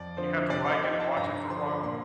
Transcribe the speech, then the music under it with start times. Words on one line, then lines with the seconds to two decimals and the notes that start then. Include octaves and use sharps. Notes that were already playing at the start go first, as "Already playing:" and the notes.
You have to like it and watch it for a while?
Already playing: F2 D5
0.17 D3 F3 C4 C5
0.50 C3 D5
0.67 D#5
0.83 F3 C4 D#4 G5
1.00 A5
1.17 G2 A#5
1.50 D3 F3 C6
1.83 A#2 C6